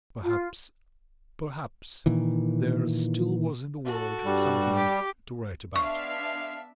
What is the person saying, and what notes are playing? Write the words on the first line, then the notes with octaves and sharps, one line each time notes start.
Perhaps, perhaps, there still was in the world something to write about.
F4
A#2 D#3 E3
F#4 A4
G2 G3
G4
G#3 B3 D4 E5 F5 C#6